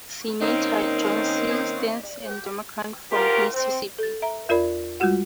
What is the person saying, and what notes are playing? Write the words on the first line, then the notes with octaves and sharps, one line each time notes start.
Senator, John C. Stennis, a Democrat from Mississippi.
D#3 A#3 C4 C#4 D#4
D2 F4 G4 A#4
C4
A4 A6
E5 A#5
E2 F4 A#4 D5 B5
G3 G#3 F4 F#4 F#5